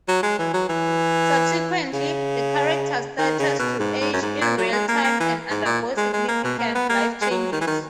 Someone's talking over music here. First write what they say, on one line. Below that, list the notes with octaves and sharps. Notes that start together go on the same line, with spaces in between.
Subsequently, the characters started to age in real time and undergo significant life changes.
F#3
G#3
E3
F#3
E3
C#3
D#3
C#3
B2
G#2
G#2
F#2
G#2
A#2
F#3
G#3
A#3
A#3
E3
G#2
A#2
G#3
G#3
A#3
B2
A#3
B3
A#3
G#3
F#3
D#3
E3
D#3